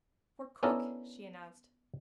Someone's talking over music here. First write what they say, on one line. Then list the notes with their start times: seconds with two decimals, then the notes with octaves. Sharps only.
"For cook," she announced.
0.63 B3 C#4 D4 E4 A4 A#4